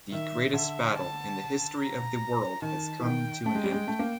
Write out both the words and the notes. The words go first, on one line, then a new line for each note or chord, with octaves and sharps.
The greatest battle in the history of the world has come to an end.
D#3 E5
D3 E5
A5
A#5
D#3 A5
E3
D#3 G5
A3 G5
G#3
G3
G#3
A3
A#3